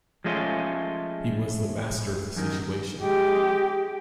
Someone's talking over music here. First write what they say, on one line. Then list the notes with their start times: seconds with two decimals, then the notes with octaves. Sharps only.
He was the master of the situation.
0.24 F3 G#3 A3 C#4 F4
2.36 F#2 D#3
3.01 G#3 G4